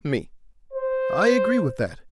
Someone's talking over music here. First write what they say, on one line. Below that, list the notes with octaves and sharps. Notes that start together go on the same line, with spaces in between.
ME: I agree with that.
C5